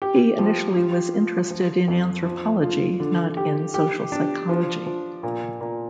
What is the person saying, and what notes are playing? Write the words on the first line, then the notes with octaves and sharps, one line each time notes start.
He initially was interested in anthropology, not in social psychology.
G4
F3
F4
F4
F3
F2
F3
F4
D3
G4
G4
D4
F3
F3
A#2
A#2